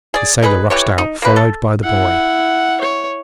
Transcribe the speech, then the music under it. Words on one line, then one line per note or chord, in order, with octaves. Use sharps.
The sailor rushed out, followed by the boy.
G#4 D5
D#4 G#4 B4
E3 G4 C#5
D#4
A#3 B4
A4
E4 F#5
C#5